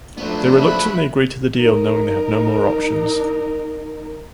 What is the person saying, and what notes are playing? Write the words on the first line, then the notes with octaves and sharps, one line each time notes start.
They reluctantly agree to the deal knowing they have no more options.
F3 F#3 A3 B3 D4
A3 E5 B5 F#6
D#4 A#4